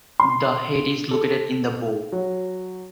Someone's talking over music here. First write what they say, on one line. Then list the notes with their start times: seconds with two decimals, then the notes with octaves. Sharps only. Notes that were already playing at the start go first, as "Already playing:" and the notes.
The head is located in the bow.
0.20 C6
1.11 A4
2.12 F#3